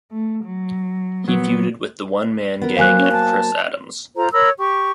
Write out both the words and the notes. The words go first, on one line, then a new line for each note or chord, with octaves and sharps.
He feuded with the One Man Gang and Chris Adams.
A3
F#3
A#2 F#3 B3
B3 A#4
F#3 A#3 C5 F5 G#5 F#6
C#4
A5
F4 A4 C5 A#5
A#4 C#5 B5 E6
G4 C#6